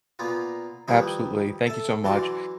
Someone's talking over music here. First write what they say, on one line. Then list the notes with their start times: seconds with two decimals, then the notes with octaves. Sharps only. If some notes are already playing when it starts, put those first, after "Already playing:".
Absolutely. Thank you so much.
0.19 A#2 A#3 B3 F4
0.88 D#3 F3 G3 E4 B4
1.67 A4 E5
2.04 F#2 E3 F#4 D5 C6